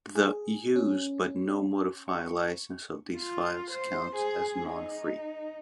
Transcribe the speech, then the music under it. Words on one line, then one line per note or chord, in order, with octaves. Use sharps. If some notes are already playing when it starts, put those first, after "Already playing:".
The "use, but no modify" license of these files counts as non-free.
G#4
C#4
C#6
F4
C5
G#4
D#4